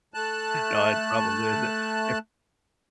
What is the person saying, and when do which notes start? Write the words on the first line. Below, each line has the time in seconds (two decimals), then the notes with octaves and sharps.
No, it probably isn't, if
0.14 A3 A5 F#6